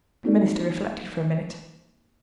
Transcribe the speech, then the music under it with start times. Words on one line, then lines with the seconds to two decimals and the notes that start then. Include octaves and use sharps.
The minister reflected for a minute.
0.24 A#3 C4 D#4 F#4 A4 D5